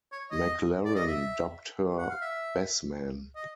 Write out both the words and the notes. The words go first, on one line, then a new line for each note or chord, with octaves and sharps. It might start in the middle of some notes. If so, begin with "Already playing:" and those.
McLaren dubbed her 'Bess Man'.
C#5
D#5
D5
D#5
E5
F#5
F5
E5
D#5